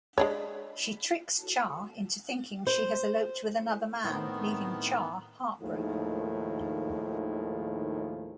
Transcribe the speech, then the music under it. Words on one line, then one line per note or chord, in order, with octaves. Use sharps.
She tricks Char into thinking she has eloped with another man, leaving Char heartbroken.
G#3 D4 C#5
C5
A2 D#3 B3 C4
D#2 A2 D#3 F3 G#3